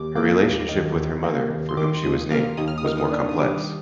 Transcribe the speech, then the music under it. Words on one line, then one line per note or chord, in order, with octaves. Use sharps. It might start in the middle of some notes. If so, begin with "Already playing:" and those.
Her relationship with her mother, for whom she was named, was more complex.
Already playing: D#2 D6
A#3 D6
D#2
D#3
D#2
A#3
D#2
C6
D#3 D6
D#2 D#6
A#3 F6
D#2 D#6
F6
D#6
D#3 F6
D#6
D4
D#6
G3 D6